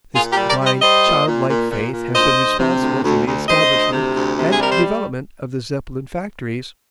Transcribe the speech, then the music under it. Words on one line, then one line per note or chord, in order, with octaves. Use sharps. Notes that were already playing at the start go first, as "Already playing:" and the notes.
This blind child-like faith has been responsible for the establishment and development of the Zeppelin factories.
A#2 F4 G#4
G4 A#4
G3
A#4 D5
G3
C5 D#5
G3 C5 D#5
A#2
A#2
A#2
A#2
A#2
D2 C5 D#5
D2
C3
D2
D2
D2
D2 C5 D#5
D2
C3
D2
C3
G#4
G3 A#4
C5